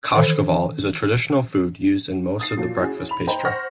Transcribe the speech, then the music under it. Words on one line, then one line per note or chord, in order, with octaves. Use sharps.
Kashkaval is a traditional food used in most of the breakfast pastry.
D#3 E3 A4 C5
D#6 A6 C7
A#2 F3 F#3
C#4 E4 F#4 G#4
B5 F7
C5 D#5 G5 A#5 B5
C5 F#5 C#6 F6 A#6